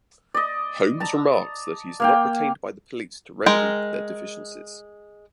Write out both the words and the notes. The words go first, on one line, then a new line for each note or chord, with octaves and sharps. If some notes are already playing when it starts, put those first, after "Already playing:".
Holmes remarks that he is not retained by the police to remedy their deficiencies.
D5 D#5
A5 A#5
A#3 F5 G5
G#3 A#4 G5